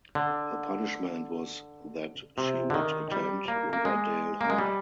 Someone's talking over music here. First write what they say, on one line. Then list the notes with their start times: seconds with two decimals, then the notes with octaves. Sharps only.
Her punishment was that she would attend Riverdale High.
0.15 D3
2.38 C3
2.70 D3
2.74 D#3
3.12 G3
3.48 A#3
3.73 A#3
3.85 G#3
4.41 A#3
4.50 G#3
4.59 G3